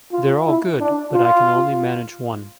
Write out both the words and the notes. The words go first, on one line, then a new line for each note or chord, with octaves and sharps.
They're all good but I can only manage one.
F4
E4
D4
F4